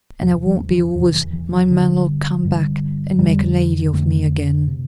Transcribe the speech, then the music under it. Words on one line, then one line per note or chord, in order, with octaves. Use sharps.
And I won't be always; my man'll come back and make a lady of me again.
E2 C3 F3
F3
E3
E2 C3 E3
E3
E3
F3
G2 D3
G2 D3
F2 D3 G3
F2 D3 A3
C3